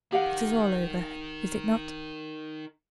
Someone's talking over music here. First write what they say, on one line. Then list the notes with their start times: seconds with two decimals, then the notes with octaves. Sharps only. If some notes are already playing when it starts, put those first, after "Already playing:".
It is all over, is it not?
0.12 D#3 G4 F5 F#5